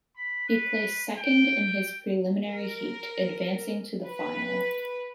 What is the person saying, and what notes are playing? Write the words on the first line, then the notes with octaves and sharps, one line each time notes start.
He placed second in his preliminary heat, advancing to the final.
B5
B4
G5
A#4
B4